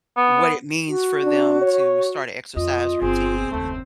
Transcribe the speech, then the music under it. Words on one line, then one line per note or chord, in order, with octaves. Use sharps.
what it means for them to start a exercise routine,
B3
F#4
D4
C#5
F2 F4 D#5
G1 C4 G#4
F#1 D#2 A3